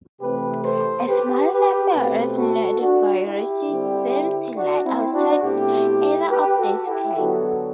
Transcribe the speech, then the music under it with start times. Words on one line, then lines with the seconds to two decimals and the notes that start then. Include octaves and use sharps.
A small number of nodoviruses seem to lie outside either of these clades.
0.21 C3 E3 A3 C4 G4 B4
0.64 A4 C5
1.08 G4 B4
1.51 G4 B4
1.94 B2 A3 C4 G4 B4
2.38 F#4 A4
2.81 D4 F#4
3.25 E4 G4
3.68 D3 G3 C4
4.56 D4 F#4
4.85 C4 E4
5.13 D4 F#4
5.42 B2 A3 C4 E4 G4
6.29 G4 B4
6.58 F#4 A4
6.87 E4 G4
7.16 D3 F#3 B3 F#4 A4